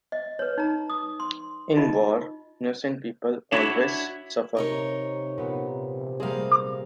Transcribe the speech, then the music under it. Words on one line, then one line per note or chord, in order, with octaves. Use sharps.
In war, innocent people always suffer.
D#5
B4 C#5
D#4 A#5
D#6
C6
D#4 F4 D#5
D4 E4 F#4 C#5 D5 E5
C3 D#4 A#4 C#5
A#2 B3
G3 A#3 C4 G#4 F5